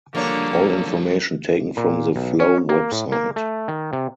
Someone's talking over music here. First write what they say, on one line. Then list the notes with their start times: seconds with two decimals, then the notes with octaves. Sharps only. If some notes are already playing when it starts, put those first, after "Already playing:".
All information taken from the Flow website.
0.15 D3 F3 G3 A#3 C#5
1.77 A#2
2.16 B1
2.40 C#4
2.69 A#3
2.92 A2
3.12 A#3
3.36 A3
3.68 D#3
3.93 C3